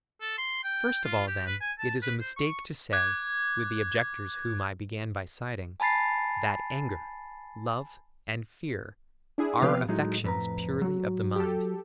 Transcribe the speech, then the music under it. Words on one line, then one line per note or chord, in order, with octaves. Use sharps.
First of all, then, it is a mistake to say, with the objectors whom I began by citing, that anger, love and fear are affections purely of the mind.
A4
C6
G5
F4
G4
B4
G#5
A5
B4
C5
C#6
D6 F#6 G#6
G#5 A5 B5 A6 C7
D4 E4 G#4
C3 F3 B3 G4 B4 F5
A2 F#3 G#3 D#4
F2 B4 A#5
F#3 F#4
G4 A4